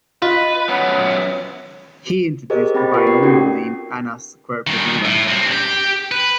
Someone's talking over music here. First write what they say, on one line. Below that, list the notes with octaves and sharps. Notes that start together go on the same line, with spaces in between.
He introduced the binomial name "Anas querquedula".
F4 B4 D#5
F#2 B3 C#5
G4 G#4 A#4 C5 D#5
C4 G5 B5 A6
F4 G4 A#4 B4 G5 C#6
B3 D5 C7
C4 C#4 D#4 F#4 G4 A4
G2 D#3
A2
G2 C4
G4 G5
B4